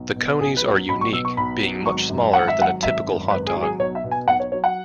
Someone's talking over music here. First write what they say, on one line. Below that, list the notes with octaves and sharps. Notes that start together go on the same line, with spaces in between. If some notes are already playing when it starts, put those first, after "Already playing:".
The coneys are unique, being much smaller than a typical hot dog.
Already playing: B1
B2
B1 G#4
B4
F#3
B1 B5
C#6
B2 E6
C#6
B1 B5
F#3
G#1 C#6
F#2
G#1 F#5
E5
F#3 F#5
G#1 E5
F#2
G#1 B4
G#4
F#3
G#4
B1 C#5
E5
B2
G#5
B1 F#5
C#5
F#3 C#5
F#5